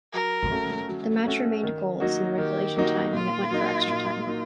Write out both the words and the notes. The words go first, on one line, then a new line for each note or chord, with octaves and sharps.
The match remained goalless in the regulation time and it went for extra time.
F#3 A#4
A3 C#4 F#4 A4
F#3
A3 C#4 F#4 A4
D#3
F#3 A#3 D#4 F#4
D#3 G4
F#3 A#3 D#4 F#4
A#2 F4
F#3 A#3 D#4
A#2
F#3 A#3 D#4